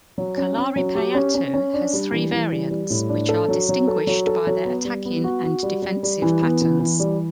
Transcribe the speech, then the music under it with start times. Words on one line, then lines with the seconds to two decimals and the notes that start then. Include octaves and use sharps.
Kalaripayattu has three variants, which are distinguished by their attacking and defensive patterns.
0.18 F#3
0.37 C#4
0.57 C#4
0.76 F#3
0.95 G4
1.15 C#4
1.35 C#4
1.54 C#4
1.74 D4
1.93 G3
2.12 E3
2.32 E3
2.52 G3
2.71 G3
2.90 A2
3.09 D4
3.29 A4
3.48 F#3
3.69 F#3
3.88 A4
4.07 F#3
4.27 A4
4.47 F#3
4.65 B3
4.85 G3
5.05 B3
5.24 F#4
5.44 F#4
5.63 G3
5.82 G3
6.03 G3
6.22 E3
6.42 B3
6.62 E3
6.80 E3
7.00 G3